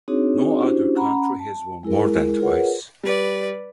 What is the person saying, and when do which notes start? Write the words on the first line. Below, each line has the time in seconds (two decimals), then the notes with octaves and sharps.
No other country has won more than twice.
0.08 C4 D4 D#4 F#4 G#4 C#5
0.60 C#4 D4 E4 F#4 G4 C5
0.95 C#4 F#5 A#5 B5
1.39 A5
1.83 G#3 E4 G#4 A#4
2.39 F4 G#4 A#4 B4 C#5 F#5
3.03 G3 B4 D5